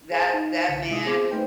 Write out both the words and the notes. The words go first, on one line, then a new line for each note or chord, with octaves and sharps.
that that man
G#4 C5 G#5 A#5 G#6
D#4
C2 D3 B6 C#7
C3 G#3 D#4 F4 E5 D#6
B3 C4 G#4 C5 D6 G#6
A3 D#4 B4 C5 G5